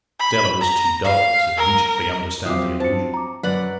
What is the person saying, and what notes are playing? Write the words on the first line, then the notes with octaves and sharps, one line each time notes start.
Stella was too dull to immediately understand the allusion.
B5
A#5
F5
A#4
A#4
F3 F#3 C4 E5 F5 D6 D#6
C5 A5 C#7
A#5 D6
F#2 B4 D5 F#5